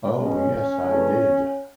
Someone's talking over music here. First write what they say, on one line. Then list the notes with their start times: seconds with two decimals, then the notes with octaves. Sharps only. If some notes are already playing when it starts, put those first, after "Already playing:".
Oh, yes, I did.
0.19 B2 G#3 C#4
0.87 E2 B2 A3